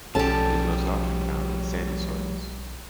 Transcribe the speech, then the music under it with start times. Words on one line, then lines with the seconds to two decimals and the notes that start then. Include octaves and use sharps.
It is most often found in sandy soils.
0.15 B1 F3 G3 C#4 G4 A4 A5